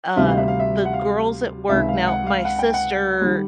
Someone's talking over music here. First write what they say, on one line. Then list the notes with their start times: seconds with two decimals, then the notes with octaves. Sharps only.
uh, the girls at work now my sister
0.16 D2 C3 D#3 G3 E5
0.27 F5
0.38 E5
0.48 F5
0.60 E5
0.85 F#5
0.93 F5
1.69 C#2 C3 D#3 E5
1.88 F5
2.07 F#5
2.27 F5
2.45 F#5
2.59 G5
2.74 F#5
3.21 D#3 G3